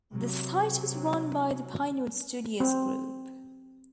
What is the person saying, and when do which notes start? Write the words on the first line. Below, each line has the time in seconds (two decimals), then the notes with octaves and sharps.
The site was run by the Pinewood Studios Group.
0.12 C3 F#3
2.60 C4